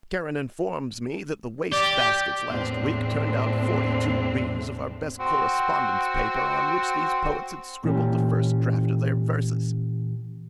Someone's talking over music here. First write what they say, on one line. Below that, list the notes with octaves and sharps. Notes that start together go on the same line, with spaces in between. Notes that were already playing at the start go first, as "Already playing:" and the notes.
Charon informs me that the waste-baskets last week turned out forty-two reams of our best correspondence paper on which these poets had scribbled the first draft of their verses.
G4 D5
E2 A2 C4 D4
C4 F#4
A#2 E3 C#4 G4